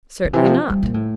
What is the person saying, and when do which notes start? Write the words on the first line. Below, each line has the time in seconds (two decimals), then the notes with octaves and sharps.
Certainly not.
0.25 D3
0.33 C3 E3
0.46 F3
0.70 G3
0.83 A#2
0.94 A2